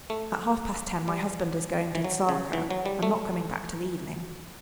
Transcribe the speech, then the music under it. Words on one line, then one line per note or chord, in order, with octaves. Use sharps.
At half-past ten my husband is going to Tsarskoe and not coming back till evening.
A3
G3
E3
F#3
C#3
E3
F#3
G3
A3